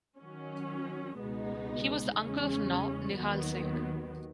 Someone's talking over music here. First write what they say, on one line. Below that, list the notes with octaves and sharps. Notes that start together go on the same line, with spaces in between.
He was the uncle of Nau Nihal Singh.
D#3 F#3 C#4
C#2 B2 G#3 B3 D#4
E2 C#3 G#3 C#4
D#2 D#3 F#3 B3